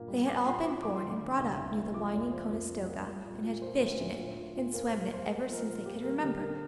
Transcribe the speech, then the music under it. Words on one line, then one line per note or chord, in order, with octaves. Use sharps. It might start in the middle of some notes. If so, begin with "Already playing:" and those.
They had all been born and brought up near the winding Conestoga, and had fished in it and swam in it ever since they could remember.
Already playing: G2 A#2 A#3
G3
A#3 D6
A#2 C6
A#2 D6
F3 D6
C6
D3
D6
D3
C2
C2
A#3
F3 D6
F2 D5
F3 C5
F2 A#4
F2
A#3
G3
A#2
A#2
A#3 C5
D2
D2
A#2
A#2
A#2
A#3 A#4
C5
G3
A#4
A#3 C5
A#3 A#4
C5
F3 A#4
A#2
A#3 G4
G3 A#4
D3 G4
D3 A#4